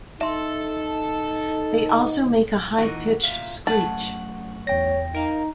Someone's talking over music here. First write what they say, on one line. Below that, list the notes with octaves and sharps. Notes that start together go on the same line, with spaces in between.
They also make a high pitched screech.
D#4 A4 E5 C6
A#2 E3 D#4 F#4
A#2 E5 F5
F#2 A3 F#5 A5
E2 C#5 G5 A#6
D#4 A#4 F5